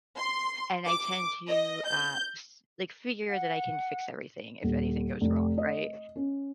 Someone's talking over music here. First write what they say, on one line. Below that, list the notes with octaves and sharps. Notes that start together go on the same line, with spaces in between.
And I tend to, uh, s like, figure that I can fix everything, if anything goes wrong, right?
C6
D6
D#5
G6
F#5
D#1
F1
D#5
C#4